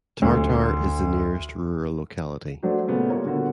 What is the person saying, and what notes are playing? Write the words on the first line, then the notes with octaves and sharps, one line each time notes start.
Tartar is the nearest rural locality.
D2
F#3 A3 D4 F#4 C5
A#2 C#3 A3 B3
G3 A#3 F4 A#4 C#5
A#2 D3 B3 F#4